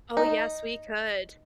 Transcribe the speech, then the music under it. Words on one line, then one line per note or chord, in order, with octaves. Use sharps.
Oh, yes, we could.
D#4